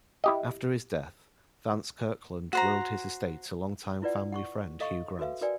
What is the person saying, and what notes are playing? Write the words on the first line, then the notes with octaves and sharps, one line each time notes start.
After his death, Vance Kirkland willed his estate to longtime family friend Hugh Grant.
E4 G4 D#5
F#4 C5 A#5
E4 F4 B4 D5 F#5
F#5 C6 C#6
A4 D#5 F5 C6 C#6
F#4 A4 B4 E5 F5
F#4 A#4 B4 D5 G5 G#5